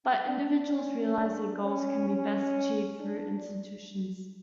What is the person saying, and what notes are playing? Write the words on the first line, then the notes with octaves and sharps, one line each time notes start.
But, individuals realize their goals can be best achieved through institutions.
D4
C#4
D4
C#4
C#4
D4